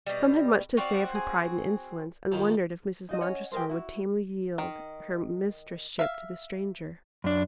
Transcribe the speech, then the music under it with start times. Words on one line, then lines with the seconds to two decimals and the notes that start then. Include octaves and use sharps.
Some had much to say of her pride and insolence, and wondered if Mrs. Montressor would tamely yield her mistress-ship to the stranger.
0.06 B2 G3
0.77 C4 F#4 D5 F5
1.15 G#4
2.32 F2 D#3 F3
3.09 D#4 F#4 D#5
3.21 C#4 C#5 D#5 F#5
3.52 G4 G#4 A#4 C5
3.69 E4 F#4
4.58 D#3
5.99 E5 F5
7.24 F#2 D4